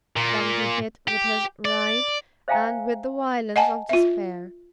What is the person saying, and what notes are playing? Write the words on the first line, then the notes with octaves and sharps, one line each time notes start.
Then he hit with his right and with the violence of despair.
A#2
G4
D5
C5 E5 F5 G5 G#5 A#5
D#5 F#5 G#5 A5
F4 E5